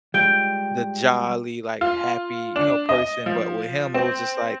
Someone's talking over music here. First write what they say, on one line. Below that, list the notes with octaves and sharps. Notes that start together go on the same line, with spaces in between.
the jolly, like, happy, you know, person, but with him, it was just like
G3 G#3 F4 G5
F4
D4
D#5
F3
C4